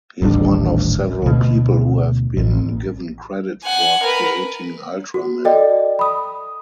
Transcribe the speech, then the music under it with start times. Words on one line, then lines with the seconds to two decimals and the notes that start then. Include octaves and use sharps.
He is one of several people who have been given credit for creating Ultraman.
0.22 D#1 A1 G3 D4
1.22 D2 B2
2.37 A1
3.64 F#5 G#5
4.03 A#4 B4
5.14 F#4
5.45 A4 D5 D#5 G5
5.99 B5 D#6